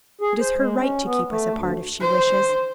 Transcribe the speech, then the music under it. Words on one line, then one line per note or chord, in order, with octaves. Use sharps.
It is her right to keep us apart, if she wishes.
G#4
C5
G#3
C#4
B3
A3
D2
C5